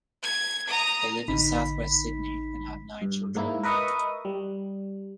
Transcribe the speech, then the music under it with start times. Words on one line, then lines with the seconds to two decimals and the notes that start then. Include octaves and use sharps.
They live in south-west Sydney and have nine children.
0.23 G#6
0.67 A#5 D#6
1.28 A1 D3 D#4 B5 B6
3.01 G2
3.35 G#2 A#3 E4
3.63 A#4 B4 D#5 E5 C#6 D#6
4.25 G3